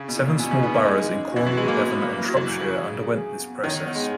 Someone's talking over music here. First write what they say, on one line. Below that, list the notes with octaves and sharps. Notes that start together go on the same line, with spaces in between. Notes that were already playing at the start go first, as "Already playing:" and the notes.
Seven small boroughs in Cornwall, Devon and Shropshire underwent this process.
Already playing: C#3
B2
E4
A#2
B2 G#5
C#3
B3 D#4
A#3
G#3 D#5
C#4
E3 F#4
F#3
G#3 F#4
A#3
B3 E4
B3
A#3 E4
A#3
F#3 F#4
F#3
E3 F#4
C#3
G#4
G#4
G#5
B3
D#3 C#5
B3
G#3